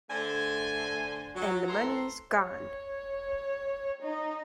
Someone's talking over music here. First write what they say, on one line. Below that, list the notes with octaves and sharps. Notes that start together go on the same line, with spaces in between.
And the money's gone!
D3 A3 C5 G#5
F#3
E3 A3 A4 A#5 C6
C#5
D#4